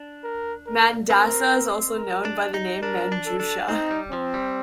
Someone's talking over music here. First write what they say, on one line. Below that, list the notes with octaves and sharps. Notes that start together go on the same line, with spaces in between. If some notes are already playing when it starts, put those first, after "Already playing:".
Mandasa is also known by the name "Manjusha".
Already playing: D4
A#4
A#4
C4 A#4
A#4
D4
D#4
D4 A#4
D4
A4
D4
C4 D#4
G3
F3 C4
G3